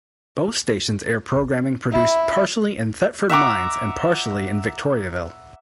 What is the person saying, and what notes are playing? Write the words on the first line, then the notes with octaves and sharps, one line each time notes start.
Both stations air programming produced partially in Thetford Mines and partially in Victoriaville.
E4
E5 F#5 A#5 D6